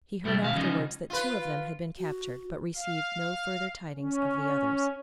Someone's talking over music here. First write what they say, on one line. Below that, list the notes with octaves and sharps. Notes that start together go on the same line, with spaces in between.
He heard afterwards that two of them had been captured, but received no further tidings of the others.
C2 A2 D3 G3 A3
D#2 B2 F5
C#3 F3 G#3 D#4
F4 B4
F#4
F5
C#4